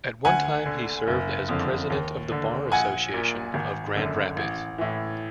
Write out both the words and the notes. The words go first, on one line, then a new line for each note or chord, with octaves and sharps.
At one time he served as President of the Bar Association of Grand Rapids.
D2 F#5 G#5
D3
F#1
F2 D3
D#2
D3
A#1 F#5 G#5
A#2
G#1
F#2 D3
A1
A2 E3